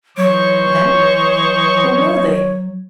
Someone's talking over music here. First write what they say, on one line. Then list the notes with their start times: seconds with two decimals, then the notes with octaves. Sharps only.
"Them"? who were they?
0.17 E3 F#3 D#4 C5 C#5 C#6